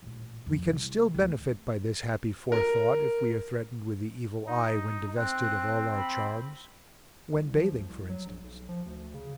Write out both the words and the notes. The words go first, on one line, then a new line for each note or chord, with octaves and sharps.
We can still benefit by this happy forethought if we are threatened with the evil eye when divested of all our charms--when bathing for instance.
A1 A#2
F2
C2
D1 D2
A#4
D#4
C4 F#6
B5
C2
F3
D2
C2
F#3
A#1
B1
F3
D2
C#3